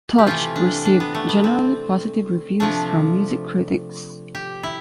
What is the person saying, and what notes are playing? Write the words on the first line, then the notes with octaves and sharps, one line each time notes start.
"Touch" received generally positive reviews from music critics.
G4
C3 E3 A3 F4
D4
D4
B3
A3
B3
C4
C3 F3 A3 D4
G4
E4